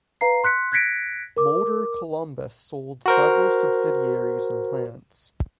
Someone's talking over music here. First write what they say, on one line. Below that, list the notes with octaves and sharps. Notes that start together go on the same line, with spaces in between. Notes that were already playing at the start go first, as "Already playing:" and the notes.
Motor-Columbus sold several subsidiaries and plants.
B4 F5 A#5 C7
C6 F#6 B6 C#7
F#6 G#6 A#6 B6 C#7 D7
A#4 D6
F#4 A#4 C5